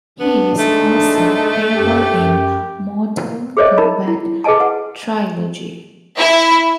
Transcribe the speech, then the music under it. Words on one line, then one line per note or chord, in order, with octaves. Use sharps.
He is also playable in "Mortal Kombat Trilogy".
B3 D4
A#1 G#3 A3 D#4
F#2 G4
F#2
G#4 A#4 C5 C#5 D#5 E5
D#4 A#4 B5
E4
G#4 B4 D#5 G#5 A5
B4 F#5
E4